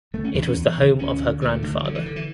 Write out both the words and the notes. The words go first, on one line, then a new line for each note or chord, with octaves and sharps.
It was the home of her grandfather.
D3 A3
C#4
E2 D4
C#4
E2
D3
D2 C#4
D3
D2 A3
D3
G3
D3 F#3
E3
D3
E3